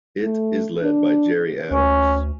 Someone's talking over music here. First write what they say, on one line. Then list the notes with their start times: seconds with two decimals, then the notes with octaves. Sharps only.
It is led by Gerry Adams.
0.24 A3
0.83 D4
1.71 D2 C#4